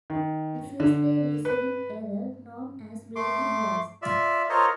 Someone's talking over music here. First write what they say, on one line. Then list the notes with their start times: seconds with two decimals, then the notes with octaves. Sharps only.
This is the reasoning error known as belief bias.
0.10 D#3
0.80 D3
1.45 B4
3.16 A3 C6 D6
4.02 F4 D5 E5
4.50 F4 A4 A#4 C5 C#5 D#5